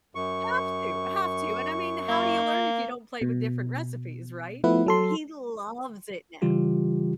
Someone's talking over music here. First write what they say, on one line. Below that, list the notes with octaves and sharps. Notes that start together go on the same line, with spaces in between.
Have to, have to, and I mean, how do you learn if you don't play with different recipes, right? But he loves it now.
F#2 C#6
A#3
B2
F3 A3 B3 E4 B4
F#3 A4 C6
C#3 E3 G3 F4 G4